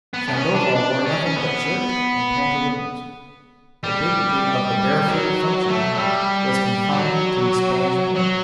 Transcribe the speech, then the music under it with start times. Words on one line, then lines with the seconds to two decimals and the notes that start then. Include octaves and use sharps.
Sandoval wore nothing but shirt and pantaloons; the dignity of the barefooted functionary was confined to his Spanish blood.
0.14 B3
0.28 D4
0.34 C#4
0.55 D4
0.75 D4
1.06 C#4
1.26 C#4
1.37 B3
3.84 G3
5.07 F#3
5.69 A3
5.93 F#3
5.99 G3
6.93 F#3
8.15 F#3